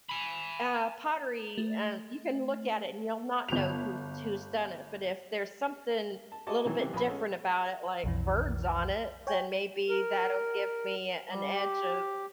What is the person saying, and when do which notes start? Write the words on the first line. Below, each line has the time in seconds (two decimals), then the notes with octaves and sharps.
uh, pottery, um, you can look at it and you'll not know who who's done it, but if there's something a little bit different about it, like, birds on it, then maybe that'll give me an edge of,
0.09 G#5 B5
1.58 A3
3.49 G1 F7
6.32 A5
6.47 F#4 G#4 D#5 E5 A5 D6
6.65 B2 D#3 E3 F#3
6.78 C3 E3 G3 C4
6.93 A#1 B5
7.07 G#3 C#4 A4
8.04 B1 F2 E3
9.27 C#5 G5 G#5
9.89 A#4
11.29 G3
11.53 G4